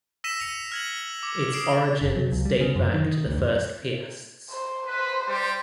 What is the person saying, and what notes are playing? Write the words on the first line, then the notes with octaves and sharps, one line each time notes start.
Its origins date back to the first Piasts.
E6 A#6 B6 D#7 E7
C#7 D#7 F7
F6 G#6 F#7
D6
D#6 C7 D7 E7
F#1
F#3
C#2
G3
C#3
F#2
D#3
D#3
D2
F#2
C5
B4 C5
G3 G4